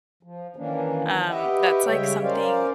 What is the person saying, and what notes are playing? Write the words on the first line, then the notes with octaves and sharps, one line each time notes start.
Um, that's, like, something
F3
D#3 E3 A#3 C#4 D4
G4 B4 D#5 E5 F#5 G5
C#3 G3 G#3 C#5 E5 G5
C#4 A#4 C5 D5 F5